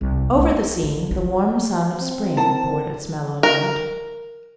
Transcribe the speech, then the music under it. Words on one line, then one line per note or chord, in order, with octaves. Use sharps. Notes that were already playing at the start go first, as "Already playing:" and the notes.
Over the scene the warm sun of spring poured its mellow light.
C2
A3
D2
E4
C4
E4 A#4 A5
A#4